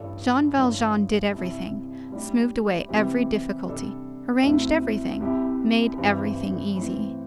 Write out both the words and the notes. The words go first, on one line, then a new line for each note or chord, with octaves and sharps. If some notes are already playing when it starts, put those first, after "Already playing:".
Jean Valjean did everything, smoothed away every difficulty, arranged everything, made everything easy.
Already playing: A1 G2 G3 D4 A4
A1 G2 D3
C2 C3 G3 E4
A2 G3 D4 G4
C3 E3 G3 C4 G4
C3 G3 D4 A4
D2 C3 A3 C4 E4
C2 C3 G3 E4 G4
G2 E3 G3 C4
A2 E3 C4